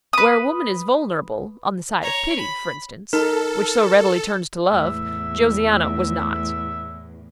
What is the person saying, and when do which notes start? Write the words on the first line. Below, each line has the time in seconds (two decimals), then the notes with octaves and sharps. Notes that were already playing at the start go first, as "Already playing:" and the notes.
Where a woman is vulnerable, on the side of pity, for instance, which so readily turns to love, Josiana was not.
0.13 B4 D#6
2.02 C#5 A#5
2.36 B5
3.13 D#4 A4 A#4
4.70 E2 A2 E5